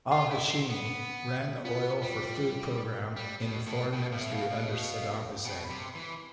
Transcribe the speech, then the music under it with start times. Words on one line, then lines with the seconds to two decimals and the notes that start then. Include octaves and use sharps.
Al-Hashimi ran the oil for food programme in the Foreign Ministry under Saddam Hussein.
0.12 F4
0.31 E4
0.50 C4
0.70 B3
1.64 B3 F4
2.02 G3
3.16 G3
3.41 B2
3.67 A2
3.92 B2 G5
4.06 F5
4.12 A2
4.20 E5
4.31 B2 F5
4.50 B2
5.44 B2 G5
5.64 B5
5.70 C3
5.84 C6
5.95 E3
6.01 B5